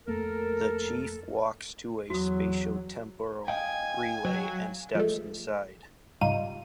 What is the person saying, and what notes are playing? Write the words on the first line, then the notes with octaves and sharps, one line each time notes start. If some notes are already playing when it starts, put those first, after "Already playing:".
The Chief walks to a spatio-temporal relay and steps inside.
F2 A3 A#3 A4 A#4
E2 F#3 F#4 D#6
D#5 F5 G5 G#5
F#3
F3 G#3 A3
C#2 G#2 G3 D#4 F4 D#7